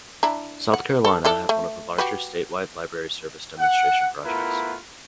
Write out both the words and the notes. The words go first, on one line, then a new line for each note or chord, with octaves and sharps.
South Carolina had one of the larger statewide library service demonstration projects.
D4 E4 A#5
F#5
A4
E4 A4 D5
A3
F#4 G4 B4
F#5
A3 B3 E4 F4 A#4 B4